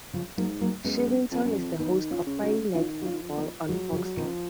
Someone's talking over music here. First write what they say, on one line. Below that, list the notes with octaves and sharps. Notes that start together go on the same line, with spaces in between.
Shirvington is the host of Friday Night Football on Fox League.
C#3 F3
G#2 F#3 A#3
F#3 A#3
F#2 G#3 B3
F2
F#2
F2
D#3 B3 D#4
C#4 F4
C#3
D#4 F#4
D#3 C#4 F4
F#4
C#4 F4
D#3
F3
B3 D#4
F3 F#3 G#3
C#3 F3
F#3
B2 D#3 F3